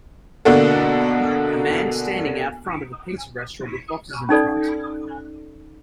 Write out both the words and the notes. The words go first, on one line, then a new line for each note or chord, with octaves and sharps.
A man standing out front of a pizza restaurant with boxes in front.
B2 D3 A#3 D4 F#4 A4
C#4 D#4 A4 D5